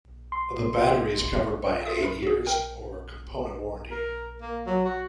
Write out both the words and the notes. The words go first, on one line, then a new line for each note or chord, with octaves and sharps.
The battery is covered by an eight years or component warranty.
C6
F4 A4 E5 D#6
F#2 A#4 B5
F#4 G#4
A#4 G5
A#4
A#3
F#3
F#4